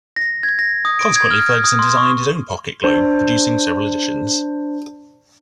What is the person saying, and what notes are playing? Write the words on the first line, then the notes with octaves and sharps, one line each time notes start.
Consequently, Ferguson designed his own pocket globe, producing several editions.
A#6
G#6
A#6
D#6
D7
G#6
F6
D#6
C6
C#6
D4 C5